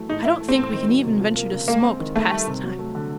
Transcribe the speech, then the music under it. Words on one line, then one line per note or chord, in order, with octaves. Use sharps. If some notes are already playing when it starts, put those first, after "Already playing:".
I don't think we can even venture to smoke to pass the time.
Already playing: E3 F#3 A3
A2 D#4
E3 E4
A3
C4
A2
D#3
F#3
C3
F3
A#3
C#3
G#3 A#3
C4
D#3
D#3 A3
G3
C3
F#3
A3
D3